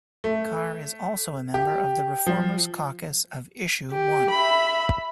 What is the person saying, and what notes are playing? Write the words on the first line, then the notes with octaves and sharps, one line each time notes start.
Carr is also a member of the ReFormers Caucus of Issue One.
A3
G4
F3
G4
E5 B5